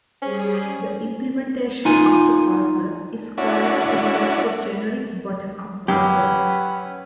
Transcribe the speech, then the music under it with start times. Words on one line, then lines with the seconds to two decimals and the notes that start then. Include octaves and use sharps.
The implementation of the parser is quite similar to the generic bottom-up parser.
0.22 G3 C#4 G#4 C5
1.85 D#4 F4 G#5
3.38 C#4 D4 E4 F#4
5.88 F#2 C#4 G4 B4 F#5